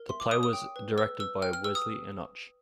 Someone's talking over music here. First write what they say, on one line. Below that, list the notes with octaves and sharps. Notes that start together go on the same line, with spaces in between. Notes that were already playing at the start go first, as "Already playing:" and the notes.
The play was directed by Wesley Enoch.
Already playing: A#4
E5 C6
D6
C#5 D#6
D#6
G5
B4
B4 E6
B4 E6
G5 F6
F6
B4 E6
D#6